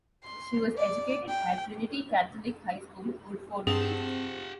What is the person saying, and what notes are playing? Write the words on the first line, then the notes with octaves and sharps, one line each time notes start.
She was educated at Trinity Catholic High School, Woodford Green.
C6
D5
G5
G2 C4 G4 G#4 F#5 A5 E7